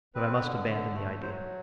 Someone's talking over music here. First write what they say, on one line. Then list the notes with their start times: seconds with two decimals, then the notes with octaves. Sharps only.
But I must abandon the idea.
0.15 C4 B4
0.42 D3
0.69 D3
0.95 A3
1.22 F#3 C5